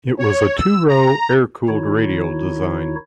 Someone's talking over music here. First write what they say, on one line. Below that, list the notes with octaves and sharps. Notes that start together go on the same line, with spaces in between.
It was a two-row, air-cooled radial design.
C#5
E6
A#5
D#3 D#4 E4 F#4 C#5